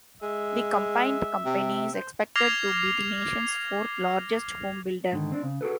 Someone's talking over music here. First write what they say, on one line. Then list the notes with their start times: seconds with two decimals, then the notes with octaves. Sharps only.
The combined company is expected to be the nation's fourth largest home builder.
0.22 G#3 E5
1.46 C3
1.94 C5
2.36 D6 F6 G#6 A#6 C7 F7
5.12 G#2 D3 D#3
5.32 C4 D4
5.43 C#3
5.61 F#4 G#4 A4 B4